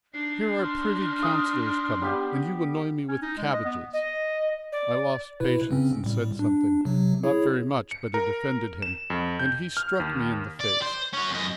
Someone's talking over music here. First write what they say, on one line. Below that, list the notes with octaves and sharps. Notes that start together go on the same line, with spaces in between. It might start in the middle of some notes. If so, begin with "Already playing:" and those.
Here are privy councillors coming, and you annoy me with cabbages!' I lost patience and said something--not very much, but it offended him, and he struck me in the face.
D4 D#4 C7
C6 F6
D#6 E6
G3 B3 G4
C#4
D#4
G#3
D#5
B3
D#5
D5
B2 E4 B4
C#3 C4 C#4
A2 G3
D4
C3 F#3
E4 G#4 C#5
C#7
A#4
E7
F2
G6
F6
D#2
D5
C5
C#4 F#4
F#2 D#5